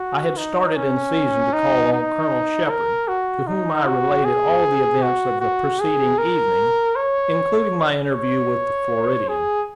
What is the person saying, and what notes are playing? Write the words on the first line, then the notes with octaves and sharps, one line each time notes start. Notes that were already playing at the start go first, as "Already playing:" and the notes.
I had started in season to call on Colonel Shepard, to whom I related all the events of the preceding evening, including my interview with the Floridian.
Already playing: F#4
D#4
C#4
D#4
D#4
A#4
F#4
D#4
F#4
G#4
F#4
F#4
G#4
A#4
C#5
C#5
G#4